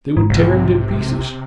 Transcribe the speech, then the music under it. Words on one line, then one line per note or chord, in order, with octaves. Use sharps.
"They would tear him to pieces."
G#2
B1 C3